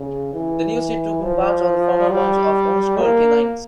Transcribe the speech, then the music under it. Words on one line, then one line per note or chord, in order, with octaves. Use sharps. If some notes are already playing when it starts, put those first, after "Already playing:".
The new seat took in parts of the former ones of Ormskirk and Ince.
Already playing: C#3
E3
F3
G3
A#3